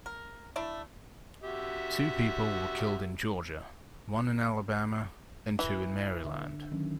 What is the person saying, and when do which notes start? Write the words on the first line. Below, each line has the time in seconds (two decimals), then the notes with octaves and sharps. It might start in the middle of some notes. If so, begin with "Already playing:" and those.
Two people were killed in Georgia, one in Alabama, and two in Maryland.
0.06 A#4
0.56 A3 D4 E4
1.43 F#4 G4 E5
5.59 E3
6.25 D3 E5
6.72 D#3 F#3 C#4